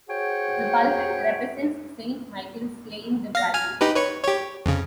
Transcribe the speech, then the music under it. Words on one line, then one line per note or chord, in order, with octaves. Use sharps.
The pulpit represents Saint Michael slaying the dragon.
F#4 G#4 C5 C#5 F#5 G5
F5 A#6
G#5 F6
D#4 G4 B4
B4 C#5 C#6
G4 C#5
F2 C#3